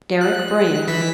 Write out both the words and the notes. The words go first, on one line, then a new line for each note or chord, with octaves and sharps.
Deryck Brand.
F#6
E3 B6